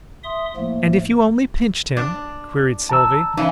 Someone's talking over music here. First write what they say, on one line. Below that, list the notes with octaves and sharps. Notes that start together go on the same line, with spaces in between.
"And if you only pinched him?" queried Sylvie.
E5 C6 D#6
A2 F3 A3 A#3
D4
A5 A#5 E6
C#3 E3 D#4